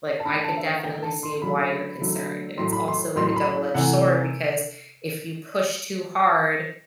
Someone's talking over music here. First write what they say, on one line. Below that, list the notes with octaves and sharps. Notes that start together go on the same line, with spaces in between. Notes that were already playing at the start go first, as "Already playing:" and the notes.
like, I could definitely see why you're concerned, and it's also like a double edged sword because if you push too hard,
A5
D3 A3 B5
A5
E5
F#5
D3 A3 G5
A5
C6
D3 F#3 A3 B5
D3 F#3 A3
A2 F#3 A3 C6
B5
C6
A2 F#3 A3 C6
C6
B5
C3 E3 A3 F#5